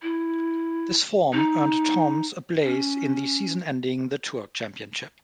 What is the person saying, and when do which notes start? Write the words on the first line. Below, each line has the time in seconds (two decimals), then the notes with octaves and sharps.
This form earned Toms a place in the season-ending The Tour Championship.
0.02 E4
1.33 D#4
2.64 C#4